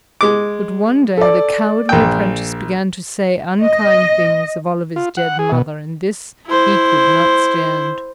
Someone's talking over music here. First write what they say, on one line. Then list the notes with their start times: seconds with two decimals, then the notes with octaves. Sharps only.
But one day the cowardly apprentice began to say unkind things of Oliver's dead mother, and this he could not stand.
0.21 G#3 D6
1.17 A4 D5
1.89 A#1 G5
3.63 D#5
4.96 F4
5.17 F#5
5.39 G#4
5.52 B2
6.47 E4 C5